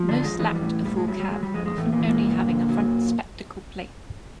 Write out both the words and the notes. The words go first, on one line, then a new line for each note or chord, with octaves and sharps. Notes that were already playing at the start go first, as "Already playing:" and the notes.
Most lacked a full cab, often only having a front 'spectacle plate'.
Already playing: F3
D3 D4
F2
G#3
E3 G#3
G3
A2
F#2 G3
G#3
F#3 G3
G3
F#3 G#3
G3
F2 G#3
G#3
E2 A2 A3
A#2 A#3
E3
A#2 A#3
G2
D3
F#3